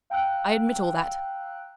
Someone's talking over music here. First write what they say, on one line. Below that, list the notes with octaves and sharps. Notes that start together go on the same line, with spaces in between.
I admit all that.
F5 G5 A#5 E6 F#6